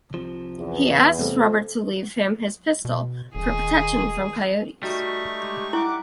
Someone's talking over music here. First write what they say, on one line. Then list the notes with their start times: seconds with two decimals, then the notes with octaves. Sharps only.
He asks Robert to leave him his pistol, for protection from coyotes.
0.14 C2 C3 F3
0.59 E2
1.19 F2 C3 G3 A3 B3
2.85 B2
3.35 D#1 D#3 G#4
4.83 G3 A3 D#4 F#4 C#6
5.37 G#3 G4
5.73 E4 F#5 D6